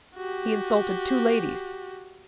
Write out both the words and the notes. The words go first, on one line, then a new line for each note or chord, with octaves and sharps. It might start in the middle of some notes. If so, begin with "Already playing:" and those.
He insulted two ladies.
F#4 G4